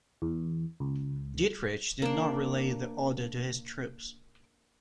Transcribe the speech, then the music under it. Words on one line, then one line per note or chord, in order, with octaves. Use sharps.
Dietrich did not relay the order to his troops.
E2
C#2
A#3 D4